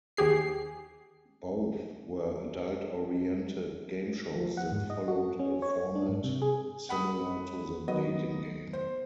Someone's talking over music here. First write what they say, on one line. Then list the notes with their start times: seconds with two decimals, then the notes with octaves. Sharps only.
Both were adult-oriented game shows that followed a format similar to the "Dating Game".
0.17 D#2 G4 G#4 C7
4.36 F3
4.57 F#5
4.72 G#2
4.90 D#5
5.08 F#4
5.39 C#4
5.62 C#5
5.95 D4
6.09 G#2
6.24 C3
6.42 G#4
6.89 F#5 B5 D#6
7.88 D#3 F#3 B3 D#5
8.73 C5